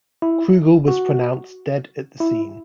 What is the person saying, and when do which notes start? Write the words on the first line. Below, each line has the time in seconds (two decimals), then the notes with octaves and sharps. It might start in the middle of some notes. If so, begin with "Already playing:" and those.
Krugel was pronounced dead at the scene.
0.22 E4
0.88 F#4
2.20 E4